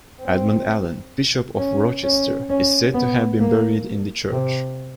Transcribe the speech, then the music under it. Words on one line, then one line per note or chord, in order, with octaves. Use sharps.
Edmund Allen, Bishop of Rochester, is said to have been buried in the church.
C4
C#4
C#4
C#4
B3
A#3
C3